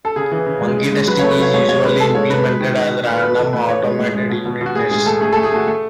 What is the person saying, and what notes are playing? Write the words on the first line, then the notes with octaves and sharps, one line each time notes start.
Monkey testing is usually implemented as random, automated unit tests.
A4
C#3 G#4
E3
C#3
G#3
G#3
G#3
F#3 B4
A3 C#5
B4
F#3 C#5
G#3 C#5
G#3 C#5
G#3 B4
G#3 A4
G#3 C#5
G#3 B4
G#3 B4
D#3
D#3
B2
A3 B4
B2 B4
E3 A4
A2 B4
A2 C#5
G#3
A2
G#3
B2
B2
B2
F#4
A2 G#4
G#3 G#4
A2 A4
A3 G#4
A3 A4
G#4
A3 F#4
A3